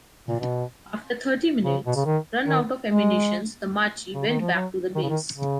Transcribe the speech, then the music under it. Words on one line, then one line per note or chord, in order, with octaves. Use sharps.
After thirty minutes, run out of ammunitions, the Macchi went back to the base.
A#2
B2
C#3
B2
C#3
D#3
D#3
G#3
C#3
D#3
F3
F#3
D#3
C#3
D#3
C#3